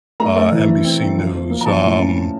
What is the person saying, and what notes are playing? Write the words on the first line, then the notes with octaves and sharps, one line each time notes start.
uh, NBC News, um,
A3 A#5
A3
E3
E3
C4
C4
F3
F3
A#3
A#5
F3 A5
A2
C#4